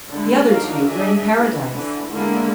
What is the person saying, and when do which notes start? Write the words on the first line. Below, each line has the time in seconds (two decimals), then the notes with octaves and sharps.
The other two were in Paradise.
0.11 D3 G#3 E4
0.46 F#3 D4 D#4 A#4 F5
0.87 D4 G#4 D#5 E5
1.35 E3
1.73 D3 E3
2.11 D3 G#3 A#3 B3 E4